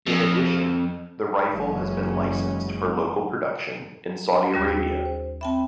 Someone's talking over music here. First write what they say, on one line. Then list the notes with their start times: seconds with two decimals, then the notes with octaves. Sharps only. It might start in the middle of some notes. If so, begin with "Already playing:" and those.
In addition, the rifle has been licensed for local production in Saudi Arabia.
0.07 F2
1.50 F#1 F#2 E3 F#3 G#3 C#4
4.54 D#2 G3 C#4
4.69 F#4 G#4 G5 E6
5.05 C5
5.41 C4 E5 G5 A5 B5